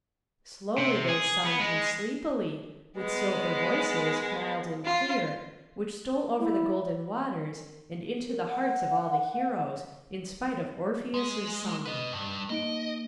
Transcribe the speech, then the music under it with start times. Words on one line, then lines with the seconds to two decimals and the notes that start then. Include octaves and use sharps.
Slowly they sung and sleepily, with silver voices, mild and clear, which stole over the golden waters, and into the hearts of all the heroes, in spite of Orpheus's song.
0.78 C3
1.09 G#4
1.45 B3
1.60 G#3
2.98 G#3 B3
4.86 F4
6.40 E4
8.27 A#4
8.49 F#5
11.14 G#3
11.85 B4 D#5
12.13 G2
12.50 A#3 D#4 D#5 D7